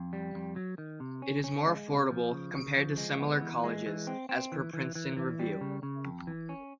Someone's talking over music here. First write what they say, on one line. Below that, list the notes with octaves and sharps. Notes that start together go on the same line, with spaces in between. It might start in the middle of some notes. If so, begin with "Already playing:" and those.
It is more affordable, compared to similar colleges, as per Princeton Review.
Already playing: F2
G3
F2
F#3
D#3
C3
C#4
C#4
G#3
C3
F3
C#3
C#3
F3
G#3
B3
E3
G#3
E3
C4
C4
E3
E3
E3
E3
G3
C#3
C#3
F2
E3
C#4